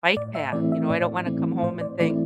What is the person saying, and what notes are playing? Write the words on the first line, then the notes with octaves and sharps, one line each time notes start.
bike path. You know, I don't wanna come home and think,
A2 D5
E5
E3 A3 C4 E4 D5
E5
A2 D5
E3 A3 C4 E4
A2 C5
D5
E3 A3 C4 E4 D5